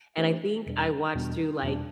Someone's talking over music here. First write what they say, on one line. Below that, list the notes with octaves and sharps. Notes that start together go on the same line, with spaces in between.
and I think I watched through, like,
E3 A3 D4 G4 C5
E2 B2 G3 D4
E2 B2 G3 D4
E2 B2 G3 D4